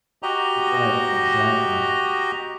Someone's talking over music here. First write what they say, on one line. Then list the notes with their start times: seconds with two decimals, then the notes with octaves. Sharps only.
Right, exactly.
0.23 F#4 G4 D#5 A#5